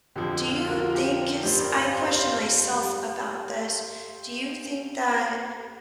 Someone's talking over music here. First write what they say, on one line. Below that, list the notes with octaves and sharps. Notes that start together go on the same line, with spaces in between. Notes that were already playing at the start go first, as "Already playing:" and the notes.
Do you think- 'cause I question myself about this- do you think that
F2 D3 F3 G4
F4
F4 A#4
F4 A#4
G4
G2 G3 G4 C5
A#4 D5
C5 F5
C5 F5
C5 F5
C5 F5
C5 F5
G3